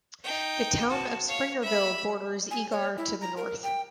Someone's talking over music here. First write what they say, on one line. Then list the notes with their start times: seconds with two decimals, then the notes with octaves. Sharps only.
The town of Springerville borders Eagar to the north.
0.24 D#4 G5
0.89 F#4 A5
1.28 C#5 F5
1.62 E5 B5
2.51 G#5
2.72 C#5
2.98 E4
3.21 A#5
3.37 A#4
3.63 G5